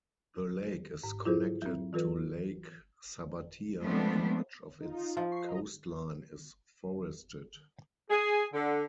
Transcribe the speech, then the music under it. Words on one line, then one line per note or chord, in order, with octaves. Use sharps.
The lake is connected to Lake Sabbatia and much of its coastline is forested.
G#2
E4 F4 G#4 A4 C5
F#3 C4
E3 F4 A4 B4
F3 G#3 A3 B3 C4 D4
D#4 F4
F3
C#6 C7
D#5 A#5
G#4
D3